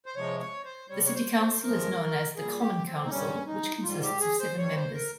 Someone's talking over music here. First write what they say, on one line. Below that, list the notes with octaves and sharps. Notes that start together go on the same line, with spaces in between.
The city council is known as the Common Council, which consists of seven members.
C5
C3 F3 G#3 C#5
C#5
C5
C3 G3 C#5
C#5
C5
C5
G2 F3 G#3 A#4
A#2 G3 G#4
G4
C4
D#4
G2 G3 C#4
D#4
D#4
G#2 G3 F4
G4
G#4
C5
G2 G3 C#5
C5
A#4